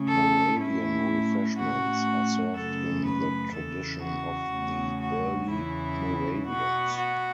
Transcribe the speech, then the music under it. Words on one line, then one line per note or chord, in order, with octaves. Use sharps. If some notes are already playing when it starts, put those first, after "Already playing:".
Moravian refreshments are served in the tradition of the early Moravians.
Already playing: C#3 A3 C#4
A4
A2 A3 C#4 E4
A2 A3 C#4 F#4
F#2 C#3 A3 C#4 A4
B4
E2 C#3 E3 A4
F#4
E2 C#3 A3 C#4
F#4
E2 C#3 E3 C#4 E4
B2 B3 F#4
F#4